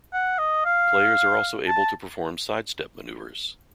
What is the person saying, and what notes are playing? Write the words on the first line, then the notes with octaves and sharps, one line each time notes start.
Players are also able to perform sidestep maneuvers.
F#5
D#5
F5
A5